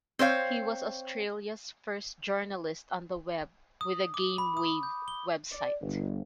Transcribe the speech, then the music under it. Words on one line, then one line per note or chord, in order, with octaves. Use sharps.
He was Australia's first journalist on the web with the GameWave website.
C4 C5 C#5 F5
D#6
D6
B5
D#6
G6
G7
D5
G1